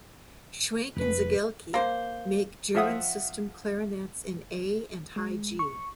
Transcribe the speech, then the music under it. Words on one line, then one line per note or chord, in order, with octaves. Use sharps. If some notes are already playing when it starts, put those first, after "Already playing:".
Schwenk and Seggelke make German system clarinets in A and high G.
F1 B4
A#3 C5
F3 F4 E5 F#5 D#6
G#3
C#6